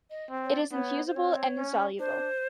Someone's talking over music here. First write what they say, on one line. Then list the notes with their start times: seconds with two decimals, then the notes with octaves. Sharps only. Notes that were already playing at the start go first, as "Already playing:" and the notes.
It is infusible and insoluble.
0.10 D#5
0.30 C4
0.44 C#5
0.52 D5
0.72 B3 C#5
1.06 C5
1.15 C4 C#5
1.58 C#4
1.99 D4 C5